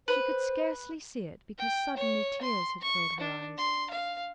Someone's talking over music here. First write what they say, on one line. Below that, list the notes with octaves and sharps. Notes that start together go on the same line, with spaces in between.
She could scarcely see it, because suddenly tears had filled her eyes.
B4 C5
G5
C#5
C6
C#6
D4
C6
F5